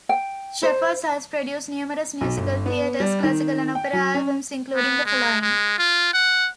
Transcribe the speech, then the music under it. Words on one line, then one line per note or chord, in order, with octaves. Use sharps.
Shepard has produced numerous musical theatre, classical and opera albums, including the following.
G5
C5
B1
G1
B3
G3
D#3
G5
F#3
C#4
B3
G#3
G#3
F4
F#5